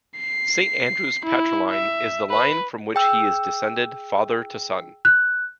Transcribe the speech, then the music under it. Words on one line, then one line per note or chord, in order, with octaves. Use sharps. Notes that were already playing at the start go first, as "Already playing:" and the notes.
Saint Andrews's patriline is the line from which he is descended father to son.
C7
E4
E5
B4
G#4 G5 E6
F#6